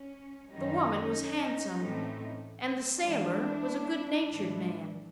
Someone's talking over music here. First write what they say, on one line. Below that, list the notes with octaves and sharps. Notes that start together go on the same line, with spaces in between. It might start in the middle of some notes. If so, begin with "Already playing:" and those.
The woman was handsome, and the sailor was a good-natured man.
Already playing: C#4
F#2 D#3 G3 C#4 D#4
A2 E3 A3 C4
C4
G#2 E3 G#3 D4 E4
A2 E3 G#3